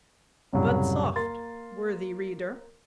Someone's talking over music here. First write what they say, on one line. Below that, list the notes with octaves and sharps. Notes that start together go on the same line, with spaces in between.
But soft, worthy reader!
C2 F#2 A2 C#3 F#3 G3
A#3 A#4 C6 A6